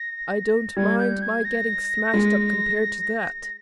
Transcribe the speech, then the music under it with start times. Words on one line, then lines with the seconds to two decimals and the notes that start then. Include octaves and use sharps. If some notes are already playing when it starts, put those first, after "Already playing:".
I don't mind my getting smashed up compared to that.
Already playing: A#6
0.76 G3 G#6
0.98 G6
1.22 G#6
1.45 A#6
2.14 G#3